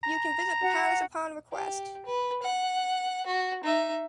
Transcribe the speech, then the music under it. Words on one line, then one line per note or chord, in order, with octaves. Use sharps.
You can visit the palace upon request.
A#5
F#4
G4
B4
F#5
F#4
D#4 E5